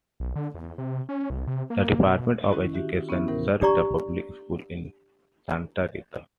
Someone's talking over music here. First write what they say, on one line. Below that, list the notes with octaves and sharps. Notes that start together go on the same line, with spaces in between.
The Department of Education serves the public schools in Santa Rita.
B1
D3
E2
C3
C#4
C2
C3
A#3
B2
D#3 C#4 E4
F#4 G4 E5
B3 C#4 E4 E5
D#2 A2 C3 E3 A#4
D4 G4 D5 A#5 C#6